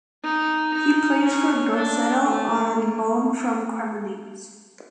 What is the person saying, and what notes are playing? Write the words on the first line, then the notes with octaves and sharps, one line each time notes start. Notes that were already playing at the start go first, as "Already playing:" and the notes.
He plays for Grosseto on loan from Cremonese.
D#4
D#4
C#4
D4
A3
A#3